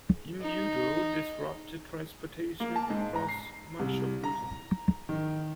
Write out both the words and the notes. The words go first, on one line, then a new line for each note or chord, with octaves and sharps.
Imbudo disrupted transportation across much of Luzon.
D#4
A#3
A5
G#2
A#5
C7
C2
A#5
D#3